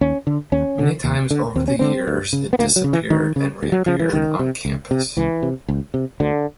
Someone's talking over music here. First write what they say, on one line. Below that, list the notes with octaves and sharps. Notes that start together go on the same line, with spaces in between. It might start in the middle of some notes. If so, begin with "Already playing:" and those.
Many times over the years it disappeared and re-appeared on campus.
D#2 C#4
D3
D#2 C#4
D3
D#2
D3
D#2 C4
C#4
D3 C4
D2
C#3
B3
D2 A#3
F#3
C#3
E3
D2 D#3
C#3
D2
F#3
C#3 F3
E3
C#2 D#3
C3
C#2
C3
C#2 E3
C3
C#2
C3
D2 D3